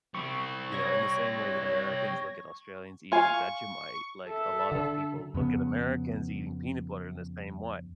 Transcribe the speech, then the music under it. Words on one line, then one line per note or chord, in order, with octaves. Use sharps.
you know, in the same way that Americans look at Australians eating Vegemite, like a lot of people look at Americans eating peanut butter in the same way.
G3 C4 C#6
C#5 G#6 A#6
F4 F5 G#5 C#6
C#6
A4 E5
D3
F2 C#3 B3